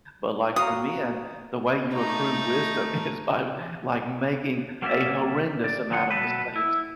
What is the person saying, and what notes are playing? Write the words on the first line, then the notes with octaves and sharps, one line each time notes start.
but, like, for men, the way you accrue wisdom is by, like, making a horrendous amount of mistakes,
F#4 F5 A#5 D#6
A3 D#4
F#3 A#3 C#4 E4 D5 E5
D5
A2 D3 F3 F4 G#4 F#5
B2 F#3 A3 B3 A4 B4
E4